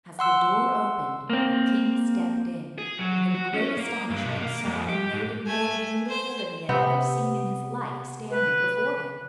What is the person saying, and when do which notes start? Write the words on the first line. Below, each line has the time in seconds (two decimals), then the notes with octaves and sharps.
As the door opened, the king stepped in, and in great astonishment saw a maiden more beautiful than he had ever seen in his life standing before him.
0.19 F#5 C6 E6
1.30 A#3 C4
2.78 G#4
2.99 F#3
3.34 F#4
3.54 C#4
3.78 A#3
4.10 G2
4.25 B1
4.42 A#3
4.65 F2
4.89 G4
5.13 G#2
5.46 A3 G#5
6.09 C5
6.69 C3 B3
8.31 B4